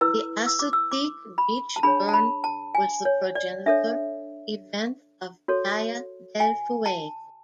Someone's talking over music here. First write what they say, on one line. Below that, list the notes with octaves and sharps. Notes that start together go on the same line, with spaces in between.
The Assateague Beach Burn was the progenitor event of Playa Del Fuego.
E4 B4 E6
E6
D6
E6
D6
B5
A5
D4 G#4 C#5 B5
A5
B5
A5
G#5
C#5
D5
D4 A4 C#5 E5
F#4 A4 C#5
G#5
A5